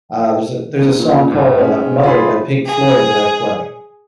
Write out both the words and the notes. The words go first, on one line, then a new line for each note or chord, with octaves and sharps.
uh, there's a there's a song called, uh, "Mother" by Pink Floyd that I play,
E1
A#2
B1 G#2
G#2 C#4
F4 G#4 B5
G#4